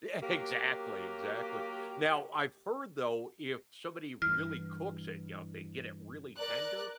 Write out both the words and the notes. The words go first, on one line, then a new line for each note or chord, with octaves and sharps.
Exactly, exactly. Now, I've heard, though, if somebody really cooks it, you know, if they get it really tender,
F#3 A#3 G4
G2 E3 F6
A#4 D5 F#6